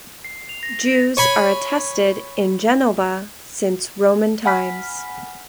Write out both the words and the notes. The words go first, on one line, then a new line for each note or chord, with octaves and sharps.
Jews are attested in Genova since Roman times.
C7
F7
A#6
A#6
C#5 G#5 B5
F#5 G#5 B5 F6 B6